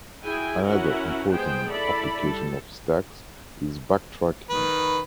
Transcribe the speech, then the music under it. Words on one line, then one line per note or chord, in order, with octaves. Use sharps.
Another important application of stacks is backtracking.
E4 F#4 G#4 G5 G#5
C#4 E4 F#4 A#4 F#5
G#3 B3 G4 G#4 C5 G5
E4 A4 D5 B5
G3 A4
D#3 B4